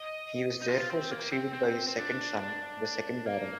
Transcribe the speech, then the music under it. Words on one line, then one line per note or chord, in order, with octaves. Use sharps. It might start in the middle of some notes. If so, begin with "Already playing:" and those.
He was therefore succeeded by his second son, the second Baron.
Already playing: D#5
D#4
F4
C4
A#3
C4
C4
C4
D4
A#3